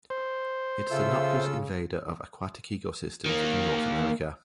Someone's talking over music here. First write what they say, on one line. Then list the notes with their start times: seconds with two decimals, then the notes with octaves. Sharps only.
It is a noxious invader of aquatic ecosystems in North America.
0.10 C5
0.90 C#3 F4 A4 E5 E6
3.26 D#3 A#3